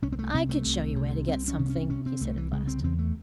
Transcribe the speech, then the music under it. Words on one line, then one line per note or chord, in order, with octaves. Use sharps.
"I could show you where to get something," he said at last.
C2 C#4
C4
A3
C3 C4
A3
C2
C3
C2 C4
C#4
C3
C#4
C3 C#4
C4
C2 A3
E3
C#3 G#3
C4
E2 C4
A3